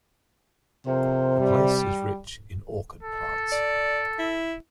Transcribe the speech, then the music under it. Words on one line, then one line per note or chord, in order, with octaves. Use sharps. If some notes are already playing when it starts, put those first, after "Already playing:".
The place is rich in orchid plants.
F2 C3 A#4 C5
G3
A4
D5
E4